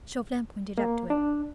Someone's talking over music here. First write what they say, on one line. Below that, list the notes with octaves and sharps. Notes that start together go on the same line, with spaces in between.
Chauvelin pointed up to it.
A#3
D4